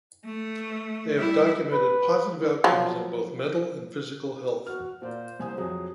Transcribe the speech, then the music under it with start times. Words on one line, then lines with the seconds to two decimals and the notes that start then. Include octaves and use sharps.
They have documented positive outcomes in both mental and physical health.
0.25 A3
1.17 G3 E4
1.72 B4
2.64 F3 F#3
4.66 F#4 F6
5.02 A#2 C5 D5
5.39 C2 G#5 D#6
5.58 F2 F#3 G#4